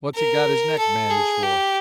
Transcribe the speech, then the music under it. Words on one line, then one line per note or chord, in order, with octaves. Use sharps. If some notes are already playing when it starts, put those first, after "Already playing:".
What's he got his neck bandaged for?
A#4
A4
G#4
G4